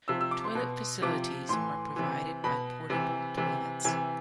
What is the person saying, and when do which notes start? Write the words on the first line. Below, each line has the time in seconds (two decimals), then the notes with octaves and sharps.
Toilet facilities are provided by portable toilets.
0.08 C3 F3 E6
0.21 E6
0.31 D6
0.44 C6
0.55 B2
1.02 C3 F3 D6
1.49 A2 E3 C6
1.96 C3 E3
2.44 B2 B5
2.90 C3 E3
3.37 C3 E3
3.84 C3 E3 G#5